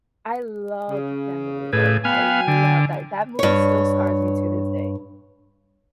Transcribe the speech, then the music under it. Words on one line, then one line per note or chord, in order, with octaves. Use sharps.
I loved that movie. Like I love that, that movie still scars me to this day.
C#3
A2 C#3 G#4 B4
B3 F5 G5 G#5
D3
G2 C#5